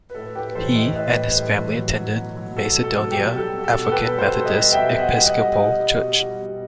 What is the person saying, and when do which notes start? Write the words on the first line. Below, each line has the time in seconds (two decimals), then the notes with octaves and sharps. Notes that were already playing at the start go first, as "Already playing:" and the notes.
He and his family attended Macedonia African Methodist Episcopal Church.
0.10 B4
0.15 A2 A4
0.35 A2 G4 B4
0.55 E3 A4 C5
0.75 A2 B4 D#5
0.96 A2 B4 D#5
1.16 G3
1.36 A2
1.56 E3
1.76 F#3
1.96 F#3
2.17 B2
2.37 F#3
2.57 B2 A4
2.77 B2
2.84 A4
2.98 F#3
3.11 G4
3.18 F#3
3.37 G3 A4
3.58 B2
3.64 A4
3.78 B2
3.85 A4
3.91 G4 B4
3.98 G3
4.18 B2 A4 C5
4.39 G3
4.45 B4 D#5
4.59 G3
4.72 E5 G5
4.79 B2
4.99 B2 D#5 F#5
5.19 G3
5.26 D#5 F#5
5.39 G3
5.53 D#5 F#5
5.60 B2
5.80 G3
6.00 B2
6.20 G3
6.40 B2